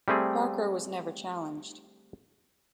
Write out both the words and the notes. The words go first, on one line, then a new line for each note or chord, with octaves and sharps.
Parker was never challenged.
G3 A3 C4 G#4